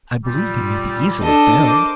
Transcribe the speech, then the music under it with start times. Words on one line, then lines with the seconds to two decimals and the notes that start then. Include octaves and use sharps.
I believe they may be easily found.'
0.25 A#2 G3
1.21 D4 A4 D#5
1.65 A#4 C5 D6